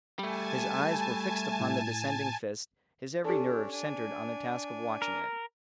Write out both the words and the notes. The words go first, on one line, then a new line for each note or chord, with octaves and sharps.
His eyes were fixed upon the descending fist, his every nerve centered on the task of watching it.
G3 A3 G#5 A5
A2
C#4 D4 G4 A4 D5
D4 G#5
A#4